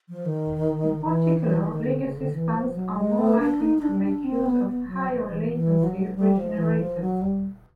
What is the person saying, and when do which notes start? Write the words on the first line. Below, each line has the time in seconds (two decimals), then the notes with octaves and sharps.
In particular, legacy spans are more likely to make use of higher latency regenerators.
0.09 F3
0.26 D#3
1.05 E3
1.37 E3
1.61 E3
1.69 D#3
1.85 D3
2.01 C#3
2.17 D3
2.33 E3
2.54 F3
2.75 F#3
2.96 G#3
3.18 A3
3.39 D4
3.60 D#4
3.78 D#4
3.82 D4
4.03 D4
4.24 C4
4.46 B3
4.67 B3
4.88 F#3
5.09 F3
5.30 E3
5.52 E3
5.83 F#3
6.15 G3
6.37 F3
6.57 E3
6.79 F3
7.00 F#3
7.22 G3